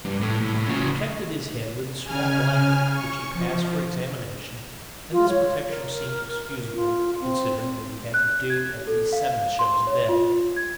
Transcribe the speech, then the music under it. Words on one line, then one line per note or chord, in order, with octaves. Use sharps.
He protected his head with a small blanket, which he passed for examination, and this protection seemed excusable, considering that he had to do at least seven shows a day.
G2
A2
A2
A2
C#3 F#4
C#3 G#5 F6
C#6
F3
F4
C#5
A#4
F4
C4
F#6
G#6
A4
F5
C6
C#5
F4
G#6